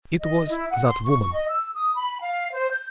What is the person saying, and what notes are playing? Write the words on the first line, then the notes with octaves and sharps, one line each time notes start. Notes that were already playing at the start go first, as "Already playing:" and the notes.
It was that woman.
D#5
E4
F#5
C6
C#6
D#5
E6
D#6
B5
F5
C5
G6